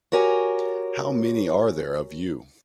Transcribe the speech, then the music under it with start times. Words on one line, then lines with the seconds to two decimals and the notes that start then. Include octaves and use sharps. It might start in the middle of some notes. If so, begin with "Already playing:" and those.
How many are there of you?
0.12 F#4 G4 A#4 C#5 G#5